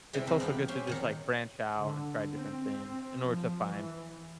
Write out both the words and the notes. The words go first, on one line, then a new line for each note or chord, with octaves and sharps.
it's also good to just, like, branch out and try different things in order to find
C3 E3 G3 G#3
E3 C4 D4 A#4 C5
B3 G4 B4 F5 G5
C4 C#4 G4 C6
A#2 D#3 F#3
D3
C4
F3
E3